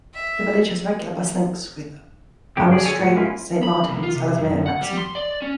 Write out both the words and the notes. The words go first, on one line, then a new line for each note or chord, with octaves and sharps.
The village has regular bus links with Oswestry, Saint Martins, Ellesmere and Wrexham.
E5
G2 C#3 F#3 G4
G#4 D5
D3 G#4 C#5 D5 G#5
A2 F#5
G#3 A#3 C#4 E4 F4
B5
C2
F4
C3
F#2
F#5
G3
C6
D5
C#4